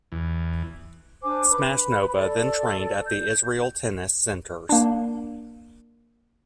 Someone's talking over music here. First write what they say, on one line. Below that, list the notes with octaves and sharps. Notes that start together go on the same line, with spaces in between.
Smashnova then trained at the Israel Tennis Centers.
E2
D4 C5 G#5 D6
B4 B5
A4 D5
G6
A#3 D4